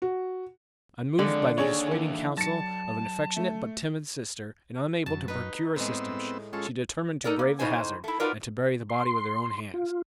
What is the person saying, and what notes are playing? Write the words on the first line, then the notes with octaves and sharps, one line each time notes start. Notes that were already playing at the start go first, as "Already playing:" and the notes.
Unmoved by the dissuading counsel of an affectionate but timid sister, and unable to procure assistance, she determined to brave the hazard, and to bury the body with her own hands.
F#4
F2 D3 G#3
D#2 D4 G#4 C#5
E3 D4 E4 E5
F#3 A5 A6 C#7
A3
F#2 A5
D#4 B4
A2 G#3 B3 C4 E6
G#3 C#4 F4 A4
D#4 A4 A#4 D5
A#3
A2 C#3 D#4 C5 G#5
A3 E4
D#4 F4 F#4 A#4 B4 D5
C6
F4